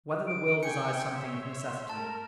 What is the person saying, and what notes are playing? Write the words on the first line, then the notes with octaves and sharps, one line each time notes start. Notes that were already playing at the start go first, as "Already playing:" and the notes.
Whether the Will Desires Something of Necessity?
D7
G5 G#5 C6 C#7
C#5 E5 C6
A3 A#4 A5